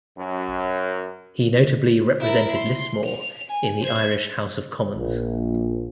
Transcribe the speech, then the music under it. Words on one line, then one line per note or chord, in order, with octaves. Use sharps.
He notably represented Lismore in the Irish House of Commons.
F#2
E4 A#4
C6
F7
G#5
C5 G#6
A#1